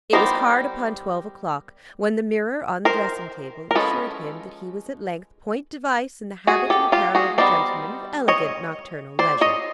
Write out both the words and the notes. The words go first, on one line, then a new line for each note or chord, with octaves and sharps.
It was hard upon twelve o'clock when the mirror on the dressing-table assured him that he was at length point-device in the habit and apparel of a gentleman of elegant nocturnal leisure.
G3 B3 D#4 A#4 C5
A#4 C5
A#4
F3 G#3 C#4 A4 B4
F#4 G#4
G4 A4
F4 G4
F#4 G#4
G3 B3 D#4 C5 D5
C#5 D#5
C5 D5
C#5 D#5